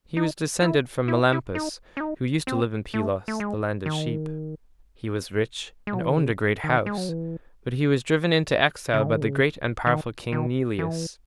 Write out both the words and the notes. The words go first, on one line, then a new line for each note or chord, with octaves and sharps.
He was descended from Melampus, who used to live in Pylos, the land of sheep; he was rich and owned a great house, but he was driven into exile by the great and powerful king Neleus.
D#4
E4
E4
E4
D#4
C#4
D#4
C4
A3
A3
G#3
D#3
G#3
F#3
E3
D#3
C#3
D#3
G#3
F#3
E3
C#3
D#3
C#3
D#3
D#3
E3